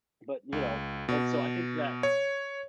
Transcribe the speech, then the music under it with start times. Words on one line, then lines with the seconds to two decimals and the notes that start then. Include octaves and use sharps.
"but, you know" And, so, I think that
0.52 C#2
1.09 B2
2.03 C#5